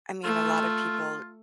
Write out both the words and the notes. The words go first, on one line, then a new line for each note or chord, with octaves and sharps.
I mean, a lot of people
A3 F4